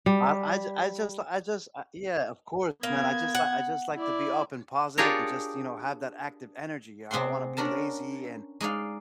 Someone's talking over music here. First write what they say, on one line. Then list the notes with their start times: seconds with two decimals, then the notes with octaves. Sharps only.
I I j I just I just, uh, yeah, of course, man, I just like I just like to be up and positive and just, you know, have that active energy, I don't wanna be lazy and
0.06 G3
2.83 A#3 B3 G#6
3.35 F#5
3.96 E4 D5
4.98 D4 F4 G4 G#4 A#4 C#5
7.11 C3 C4 G#4 F#5 C6
7.57 B3 C#4 D4 A#4 A5
8.61 G#3 D#4 D5 F5